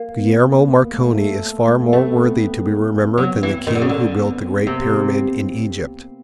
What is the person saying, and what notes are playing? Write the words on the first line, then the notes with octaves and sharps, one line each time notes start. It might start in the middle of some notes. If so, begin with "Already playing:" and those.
Guglielmo Marconi is far more worthy to be remembered than the king who built the great Pyramid in Egypt.
Already playing: A#3
B3
A#3
A#3
A3
A3
A3
B3
A3 C4
B3
A#3
C4
F#3 B3
E3
D#3
D3
C#3
D3
B3
C4
B3
C4
C3 A#3